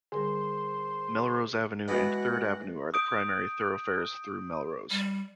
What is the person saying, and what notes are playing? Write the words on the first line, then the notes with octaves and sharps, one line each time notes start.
Melrose Avenue and Third Avenue are the primary thoroughfares through Melrose.
D3 G3 G#4 A#4 C5
B2 E3 G#3 B3 F#4 D#5 F#5
D#6 G6 D7
G3